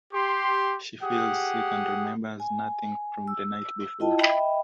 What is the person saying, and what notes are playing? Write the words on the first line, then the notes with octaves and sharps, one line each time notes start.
She feels sick and remembers nothing from the night before.
G4 C6
G4 G#4 F#5 D#6
G#5
E6
E4 F4 D#5 G5 A5
D#5 E5 G5 B5